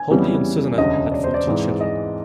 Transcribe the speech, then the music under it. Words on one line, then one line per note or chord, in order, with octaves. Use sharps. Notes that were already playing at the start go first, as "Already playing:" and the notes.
Hoadley and Susannah had fourteen children.
Already playing: G#5
F2 C#3 E3 G3 B3
E1 D2 C#3 D#5
D5
C5
D5
G#2 E3 G#3 C4
D#5